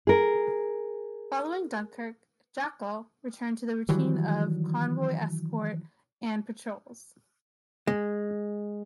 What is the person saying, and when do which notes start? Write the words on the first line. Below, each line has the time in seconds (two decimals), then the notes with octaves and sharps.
Following Dunkirk, "Jackal" returned to the routine of convoy escort and patrols.
0.07 G#4 A#4
3.89 D#3 E3 F#3 G3
7.87 G#3